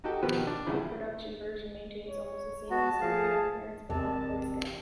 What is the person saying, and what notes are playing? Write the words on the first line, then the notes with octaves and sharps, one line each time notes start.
The production version maintains almost the same exterior appearance, but on a lower scale.
D#4 F#4 G4 A4 A5
B2 D#3 F3 G4 B4
D4
E2 A#2 C#3 G3 B3 E4
C#5
B3 F#4 A5
F3 G#4 F5
A1 E2 C3 A#4 D5 A5